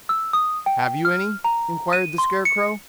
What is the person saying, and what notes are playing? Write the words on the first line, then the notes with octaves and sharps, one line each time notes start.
"Have you any?" inquired the Scarecrow.
E6
D#6
G5
F6
A#5
D#7
C6
C#7